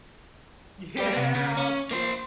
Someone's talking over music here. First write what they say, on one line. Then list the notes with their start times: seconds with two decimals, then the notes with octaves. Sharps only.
Yeah. Yep.
0.98 G4 D5
1.16 C3
1.35 C#3
1.57 C#4
1.91 A#3 C5